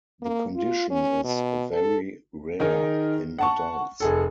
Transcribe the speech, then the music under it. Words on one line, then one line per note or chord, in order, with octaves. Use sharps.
The condition is very rare in adults.
A#3
F4
C#4
B2
A4
D#3 D#4 G#4 A#4
F#5 A5 C#6
F1 G#4 A4